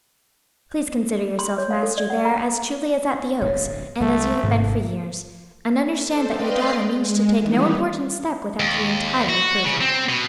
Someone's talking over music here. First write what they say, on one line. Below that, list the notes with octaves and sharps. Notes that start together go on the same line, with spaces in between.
"Please consider yourself master there as truly as at the Oaks, and as you have been for years; and understand that your daughter means to take no important step without your entire approval."
C6
C#5
F5
A4
D5
F#5
A#5
D1 G1 G2 C#5
C2 F#3 G#3 A3
G#1 C3 D#3
A4 C5
B4 D5 D#5 F5 G5 C6
G#3
D#3 E3 G3 B3 D#4
D#2
F#4
C#3
C4
B2